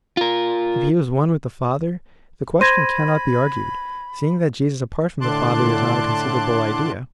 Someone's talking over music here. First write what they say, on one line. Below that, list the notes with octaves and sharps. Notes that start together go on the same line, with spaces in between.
If he was one with the Father, the question cannot be argued, seeing that Jesus apart from the Father is not a conceivable idea.
F4 A#4
C5 B5 G#6 A#6 D#7
A2 D3 A5 C6 D6 F#6